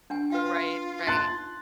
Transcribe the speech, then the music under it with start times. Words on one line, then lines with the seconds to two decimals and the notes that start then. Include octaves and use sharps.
Right, right.
0.10 D4 F#5 G#5
0.30 F4 B4 F5 G5
1.07 D#4 C6 F#6 A6